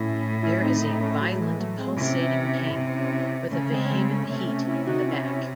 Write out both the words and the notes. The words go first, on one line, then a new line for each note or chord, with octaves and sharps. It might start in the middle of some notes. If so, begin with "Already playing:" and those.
There is a violent pulsating pain, with a vehement heat in the back.
Already playing: A2 C#4 E4
C#4 E4
C4 D#4
C4 D#4
A3 C#4
F#3 A3
F#3
E3 G#3
F#3 A3
G#3 C4
C3 C#4 E4
C3
C#3 A3 C#4
G#3 C4
C#4
G#3 C4
A3 C#4
C3 A3 C#4
A3 C#4
C#4 E4
D#4 F#4
C#4 E4
C#4 E4